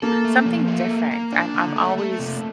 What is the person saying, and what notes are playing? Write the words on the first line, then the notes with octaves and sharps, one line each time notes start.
Something different. I'm I'm always
A#3 A4
A3
F3
A3
A#3
A#3
D4
D3
A3
A3
C3